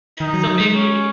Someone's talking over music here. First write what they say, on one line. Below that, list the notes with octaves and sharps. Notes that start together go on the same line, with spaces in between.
So, maybe
D#3 D#4
F#3
F#3
G#3
C#4